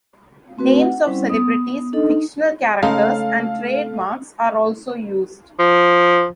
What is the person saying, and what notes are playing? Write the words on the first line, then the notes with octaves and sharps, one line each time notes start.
Names of celebrities, fictional characters, and trademarks are also used.
A3 C4 F#4 B4
F#5
G3 C4 C#4 E4 C5 F#5
B3 D#6
D4 D#4 A4 D#5
D#4
C#3 G#3 A3 D#4 A4 F5
F3